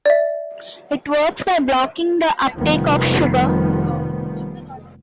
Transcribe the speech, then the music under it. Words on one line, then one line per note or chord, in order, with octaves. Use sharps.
It works by blocking the uptake of sugar.
D5 E5
F1 D#3 F3 G3 B3